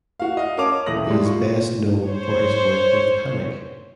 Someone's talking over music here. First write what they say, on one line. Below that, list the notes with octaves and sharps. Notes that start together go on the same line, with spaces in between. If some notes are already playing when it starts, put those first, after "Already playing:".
He is best known for his work with Panic!
F#4 F5
D#5 F5
C#4 A#4 A5 D6 F7
D#1 E3 E4 D#6 A#6 F#7
G3 G#3
F4 C#6
C5 C#5